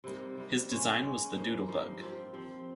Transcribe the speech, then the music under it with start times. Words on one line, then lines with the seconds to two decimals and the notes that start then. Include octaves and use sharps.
His design was the Doodle Bug.
0.04 C3 G3 A#3 D#4
0.37 C3 G3 A#3 D#4
0.70 C#3 G#3 C#4
1.02 C#3 G#3 C#4
1.36 G2 F3 A#3 D#4
1.68 G2 F3 A#3 D#4
2.01 F3 C4 G4
2.34 F3 C4 G4